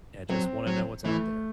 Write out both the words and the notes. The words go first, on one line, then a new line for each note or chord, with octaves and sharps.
and just wanna know what's out there,
F#3 C4
F#3
E3 A3